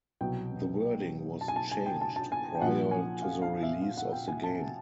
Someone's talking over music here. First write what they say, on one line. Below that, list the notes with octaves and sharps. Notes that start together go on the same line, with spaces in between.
The wording was changed prior to the release of the game.
C2 B2 F#3 G5
A5
G#5
A5
G#5
G5
A5
A5
G#5
G5
A#1 A#2 F3 F#5
G#5
F5
F5
E5
F5
F#5
G5
G#5
A5